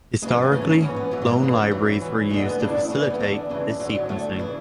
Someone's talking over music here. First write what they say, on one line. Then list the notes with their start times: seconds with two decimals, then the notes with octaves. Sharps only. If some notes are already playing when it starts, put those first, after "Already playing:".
Historically, clone libraries were used to facilitate this sequencing.
0.22 D2 C#3 E3 G#3
0.32 A3
0.42 F#3
0.52 E2 C#3 E3 A3
0.62 C#4
0.82 G#2 E3 C#4
0.96 B3
1.11 G#2 E3 F#3
1.22 E3
1.31 F#3
1.42 D2 C#3 E3
1.71 F#2 E3 F#3
2.01 G#2 E3
2.30 D2 D3 G#3
2.46 B3
2.60 D2 C#3 E3 D4
2.70 E4
2.90 D2 C#3 E3 C#4
3.00 A3
3.10 B3
3.19 E2 D3 D4
3.49 F#2 C#3 E3
3.79 E2 D3 F#3
3.95 F#3
4.09 D2 D3 A3
4.39 C#3 E3 E4